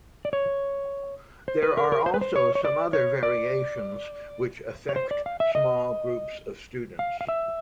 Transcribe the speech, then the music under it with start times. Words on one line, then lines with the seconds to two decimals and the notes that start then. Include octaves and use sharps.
There are also some other variations which affect small groups of students.
0.25 D5
0.33 C#5
1.48 C5
1.63 B4
1.77 A#4
1.92 A#4
2.06 C5
2.14 B4
2.21 C5
2.36 C#5
2.55 C#5
2.65 D5
2.93 C#5
3.23 D5
4.89 C#5
4.96 C5
5.11 D5
5.26 F5
5.40 E5
5.55 D#5
6.99 F5
7.21 F5
7.28 E5